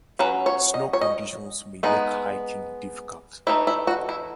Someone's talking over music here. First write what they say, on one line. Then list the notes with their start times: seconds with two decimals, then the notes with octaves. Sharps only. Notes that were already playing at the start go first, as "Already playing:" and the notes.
Snow conditions may make hiking difficult.
0.19 F#3 C#4 B4
0.46 C#5
0.74 D#5
0.93 C#5
1.01 D#5
1.83 G#3 B3 D#4
3.47 E3 A3 D#4 E4
3.67 E4
3.87 F#4
4.09 E4